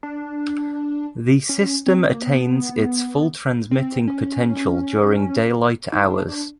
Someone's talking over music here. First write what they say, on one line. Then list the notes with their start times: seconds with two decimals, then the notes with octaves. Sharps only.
The system attains its full transmitting potential during daylight hours.
0.03 D4
1.49 C#4
1.86 C4
2.14 A#3
2.23 B3
3.71 C4
4.08 C#4
5.92 D#4
6.10 D4
6.28 D4